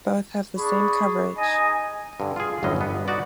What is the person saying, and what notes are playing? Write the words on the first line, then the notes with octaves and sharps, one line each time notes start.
Both have the same coverage.
D4 G#4 B5 C#6
D#4 D#5 G#5
G2 D3
F4 G#4
G1 E2 A2 F#3 C#4 D#5
G1 B3
D#4 F#4 D5